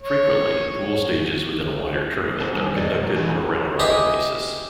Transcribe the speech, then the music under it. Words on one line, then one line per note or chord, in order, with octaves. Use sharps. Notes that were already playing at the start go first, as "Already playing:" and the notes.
Frequently, pool stages within a wider tournament are conducted on a round-robin basis.
C#5
B3 E4 F#4 C5 G#5 A5
D3 D#3 G3 G#5
B2 D5 D#5
B2 E3 G#3
E3 A3 C4 D#4 G#4 G#5
G4 G#4 B4 D#5 E5